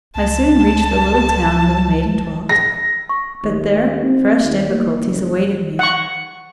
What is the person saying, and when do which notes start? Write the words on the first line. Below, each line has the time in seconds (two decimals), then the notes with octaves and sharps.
I soon reached the little town where the maiden dwelt; but there fresh difficulties awaited me.
0.15 C#2 A5
2.49 A#6
3.09 C#6
3.43 D#2
4.03 C4
4.44 D#2
4.74 A#3
5.05 F#1
5.79 F#5 C#6